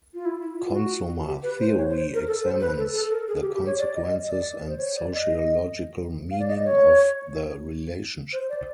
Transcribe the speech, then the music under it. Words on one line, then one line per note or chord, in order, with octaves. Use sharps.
Consumer theory examines the consequences and sociological meaning of the relationship.
F4
E4
E4
F4
F4
F#4
G4
B4
C5
C#5
C5
A#4
A4
C5
B4
A4
A4
A#4
G#4
G4
G4
C#5
D5
D#5
D#5
D5
C5
C#5
D5
D#5
F5
D5
D#5
C#5
C5
D5